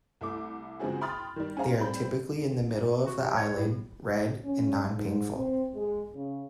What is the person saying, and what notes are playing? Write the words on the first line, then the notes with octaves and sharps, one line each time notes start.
They are typically in the middle of the eyelid, red, and non painful.
C2 A3 E4 D6
C#3 F3 G#3 C4 F#4 G#4
G5 B5 C6 D#6 F6 A6
D#3 G3
C#4 G#4 C5 F5 A#5
G3 C4 B5 G6
F#4
C3
C#5
A2
C#4
G#2
C4
G#3
C#3